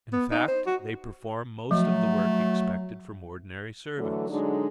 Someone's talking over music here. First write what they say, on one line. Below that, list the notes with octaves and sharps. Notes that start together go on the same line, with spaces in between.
In fact, they perform most of the work expected from ordinary servants.
B3
D#4
C5
F#4
F3 F#3 A3
D3 E3 F#3 A3
D3 F#3 G#3 D4 D#4